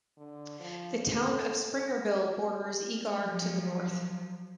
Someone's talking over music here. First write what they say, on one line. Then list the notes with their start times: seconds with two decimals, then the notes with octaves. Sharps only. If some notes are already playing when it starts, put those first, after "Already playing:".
The town of Springerville borders Eagar to the north.
0.18 D3
0.60 F3
1.12 A4
3.22 F3 F#3